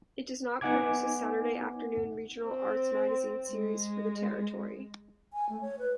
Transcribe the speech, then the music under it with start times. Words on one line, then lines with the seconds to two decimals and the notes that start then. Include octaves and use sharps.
It does not produce a Saturday afternoon regional arts magazine series for the territory.
0.61 B3 D#4 F#5 G#5 D6 G#6
2.42 C4
3.51 G#3
5.33 G#5
5.49 A3
5.61 C#5
5.79 B4